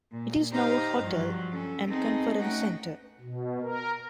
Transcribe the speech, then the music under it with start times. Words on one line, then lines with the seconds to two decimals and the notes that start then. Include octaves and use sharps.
It is now a hotel and conference centre.
0.12 A#2
0.53 D#4 G4 C5 F5 A#5
1.00 G2 F3 F#3
1.52 C#4 A4
1.87 B3 C4 D#4 G#4 A4
2.39 A3 C#4 D#4 F#4 F#5 G5
3.20 B2
3.62 A#4